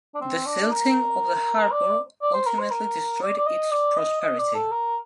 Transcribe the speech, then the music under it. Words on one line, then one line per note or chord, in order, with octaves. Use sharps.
The silting of the harbour ultimately destroyed its prosperity.
D4
C4
D4
A#4
D5
D5
C5
A#4
C5
A#4
D5
D5
D#5
D5
D#5
D#5
D5
A4
A#4